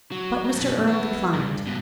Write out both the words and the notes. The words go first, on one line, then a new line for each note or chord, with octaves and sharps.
But Mr. Erle declined.
F#3
F#2 B2
B3 E4
G2
G#2 B2